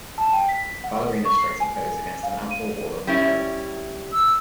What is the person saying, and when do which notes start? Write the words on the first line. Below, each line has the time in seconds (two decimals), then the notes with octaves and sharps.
A ballerina strikes a pose against an outdoor wall and window.
0.18 A5
0.33 G5
0.49 B6
0.84 F#5
1.08 A4
1.25 C#6
1.38 C7
1.60 G#5
2.23 F5
2.51 D#7
3.07 G3 C#4 E4
4.13 E6